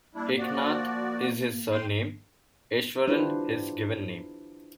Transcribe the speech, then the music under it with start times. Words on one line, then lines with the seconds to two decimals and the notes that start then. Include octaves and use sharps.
"Eknath" is his surname, "Easwaran" his given name.
0.15 G3 A#3 D4 E4
0.38 F3 F#4 D5
1.72 G5 C6
3.08 D4 E4 F4 G4 B4 C5